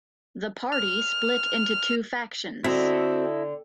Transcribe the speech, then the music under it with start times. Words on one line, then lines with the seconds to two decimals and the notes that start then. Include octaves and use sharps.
The Party split into two factions.
0.72 F6
2.64 D3 C4 E4 F#4 A4 D#5